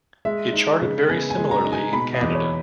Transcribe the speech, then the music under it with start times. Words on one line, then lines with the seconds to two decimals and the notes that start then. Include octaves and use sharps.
It charted very similarly in Canada.
0.25 G#3 E5
0.53 D#4
0.81 C#3
1.09 B3 G#5
1.30 G#5
1.37 G#3
1.51 A#5
1.65 D#4
1.72 G#5
1.93 B2 B5
2.14 D#5
2.21 E2
2.35 C#5